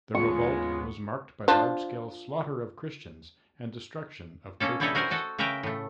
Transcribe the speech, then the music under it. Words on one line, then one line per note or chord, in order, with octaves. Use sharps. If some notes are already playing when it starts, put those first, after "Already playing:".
The revolt was marked by large scale slaughter of Christians and destruction of churches.
D#2 G#2 C#3 G#3 B3 F4 C#6
F3 D4
A#3 C#4 A4
B2 G3 E4 A4 C#5 D#5
F#4 A#4 C5 F#5 G#5
F#4 A4 D#5
C#3 A#4 B4 E5 G5 A#5
A2 A3